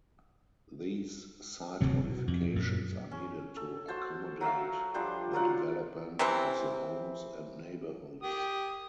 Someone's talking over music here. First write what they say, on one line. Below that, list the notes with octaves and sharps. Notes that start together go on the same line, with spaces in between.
These site modifications are needed to accommodate the development of the homes and neighborhoods.
D1 D2 C3 F#3
B2
F2
F#2 A#2
C#4
A4
F#4 C5 A5
F#3 F#4 E5 F5
F3 G3 D4 C5
F#3 F4 D5 F#5
C3 E3 C4
G4 D#6